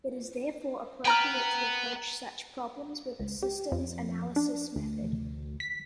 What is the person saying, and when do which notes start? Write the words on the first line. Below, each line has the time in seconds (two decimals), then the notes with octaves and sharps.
It is therefore appropriate to approach such problems with a systems analysis method.
1.05 B3 B4 G5 A#5 F6
3.20 C#2
3.43 G4
3.72 F2
4.36 D4
4.76 D2
5.60 B6